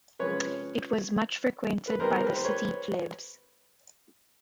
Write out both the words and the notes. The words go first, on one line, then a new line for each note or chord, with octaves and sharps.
It was much frequented by the city "plebs".
C3 F3 G#3 C#4 B4 C#5
B4
D#2 D#3 G3 B3 A#4 C5
A#4
B4
C5
B4 C#5